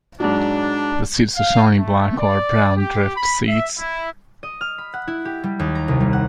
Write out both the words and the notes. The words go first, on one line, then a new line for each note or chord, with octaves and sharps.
The seeds are shiny black or brown drift seeds.
G#2 F#3 D4
F5
A3
D5
G4
B5
E5
E4
D#5
F6
B5
F#5
E4
G4
G3
D#2
A#5
C2
G3
F#5